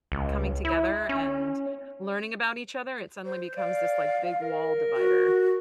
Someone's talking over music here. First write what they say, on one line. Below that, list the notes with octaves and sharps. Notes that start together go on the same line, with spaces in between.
coming together and learning about each other, it suddenly becomes this like big wall divider.
C#2
E4
C#4
C5
D5 F5
A#4
F#4